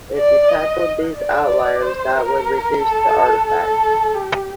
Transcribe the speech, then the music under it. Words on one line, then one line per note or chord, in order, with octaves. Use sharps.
If you tackled these outliers that would reduce the artifacts.
D5
D#5
D5
C5
A#4
A4
A4
G4